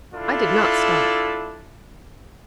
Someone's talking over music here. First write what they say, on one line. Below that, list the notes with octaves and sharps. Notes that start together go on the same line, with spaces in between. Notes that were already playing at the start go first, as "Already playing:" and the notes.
I did not start!
D4 E4 F4 A4